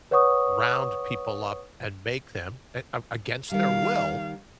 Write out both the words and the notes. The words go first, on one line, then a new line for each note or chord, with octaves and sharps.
round people up and make them, a a against their will
B4 C#5 F#5 C#6 D#6
D#3 G3 F5